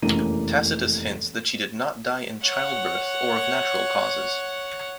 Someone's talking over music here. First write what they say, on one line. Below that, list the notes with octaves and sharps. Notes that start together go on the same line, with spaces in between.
Tacitus hints that she did not die in childbirth or of natural causes.
F1 F#2 E3 A#3 D#7
C#5 F#5